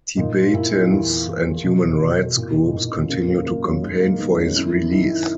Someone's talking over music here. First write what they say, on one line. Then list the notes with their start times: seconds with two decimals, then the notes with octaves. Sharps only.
Tibetans and human rights groups continue to campaign for his release.
0.17 A#2 D#4
0.54 A#2 E4
0.73 D#4
0.90 E2 E4
1.26 E2
1.64 B2
2.00 B2
2.37 A#2 E4
2.55 E4
2.68 E4
2.73 A#2 D#4
2.91 C#4
3.09 C#3 A#3
3.28 A#3
3.46 F#2 A#3
3.64 F#3
3.82 G#2 G#3
4.00 A#3
4.19 D#3 B3
4.37 C#4
4.55 F#2 E4
4.73 E4
4.91 D#3 E4
5.10 E4